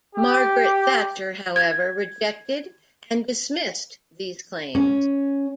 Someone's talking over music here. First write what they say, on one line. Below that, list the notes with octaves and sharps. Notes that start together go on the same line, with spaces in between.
Margaret Thatcher however, rejected and dismissed these claims.
G4
G#6
C#4